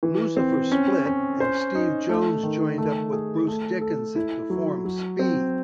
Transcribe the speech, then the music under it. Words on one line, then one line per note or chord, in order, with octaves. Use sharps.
Lucifer split and Steve Jones joined up with Bruce Dickinson to form Speed.
E3
C4
C#4
C#4
C5
D#4
A3
D#3
A3
G#4
A3
A4
E4
F#3
F#3
C4